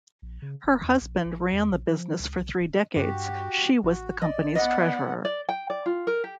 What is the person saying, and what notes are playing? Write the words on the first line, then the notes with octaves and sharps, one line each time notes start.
Her husband ran the business for three decades; she was the company's treasurer.
A#1
C#3
F1
E2
A#1
A1
E2
A#1
F3
C#2
B1
D1
G2 F#4 G4
A1 F#4
D5 D#5
B3 D#5 F#5
D5
G5
D5
F4
A#4
G4